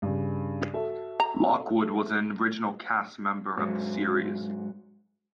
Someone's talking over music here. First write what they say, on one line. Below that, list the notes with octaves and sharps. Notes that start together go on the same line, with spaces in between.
Lockwood was an original cast member of the series.
G2 C#3
F#4 A4 E5
A#5
G#2 F#3